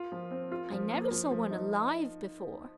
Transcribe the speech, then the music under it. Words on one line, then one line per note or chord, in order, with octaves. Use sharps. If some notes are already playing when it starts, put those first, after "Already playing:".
I never saw one alive before!'
Already playing: F4
F3
C4
F4
F3
A#3
F3
F3
D#4